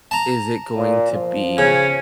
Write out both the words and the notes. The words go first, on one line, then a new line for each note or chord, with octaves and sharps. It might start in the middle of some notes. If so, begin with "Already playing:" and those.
is it going to be
A5 A#5
A#2
F3
C#3 C#4